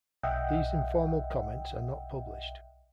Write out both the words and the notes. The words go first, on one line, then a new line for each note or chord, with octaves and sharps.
These informal comments are not published.
B1 D#5 E5 F#5 G5